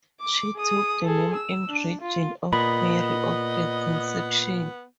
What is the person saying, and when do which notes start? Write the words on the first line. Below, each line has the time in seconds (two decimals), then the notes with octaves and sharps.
She took the "name in religion" of Mary of the Conception.
0.20 D6
0.56 G#4 D#6
1.03 G#4 A4
1.35 E6
1.69 D4
2.01 F4
2.53 A#2 B3 D#5 B5